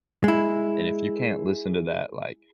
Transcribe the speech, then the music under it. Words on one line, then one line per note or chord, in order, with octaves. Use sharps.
and if you can't listen to that, like,
G#3 E4